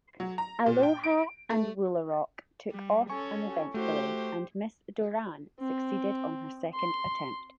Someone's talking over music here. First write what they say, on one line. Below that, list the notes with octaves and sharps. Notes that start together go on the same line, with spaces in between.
"Aloha" and "Woolaroc" took off uneventfully, and "Miss Doran" succeeded on her second attempt.
F#3
A#5
A#2
G5
D7
A3
G3
C#4 A4 G#5 C#6
A3 F#4 G4 C5
C4
C6